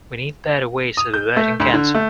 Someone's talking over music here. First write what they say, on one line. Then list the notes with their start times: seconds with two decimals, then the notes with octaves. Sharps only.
We need better ways of averting cancer.
0.97 D#6
1.14 G6
1.36 A3
1.60 D2
1.74 D3
1.95 A3